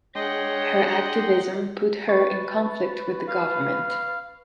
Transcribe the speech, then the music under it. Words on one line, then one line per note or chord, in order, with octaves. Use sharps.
Her activism put her in conflict with the government.
G#3 D4 G#4 C#5 D#5 F#5 G5 C6
B4 C#6 A6
F5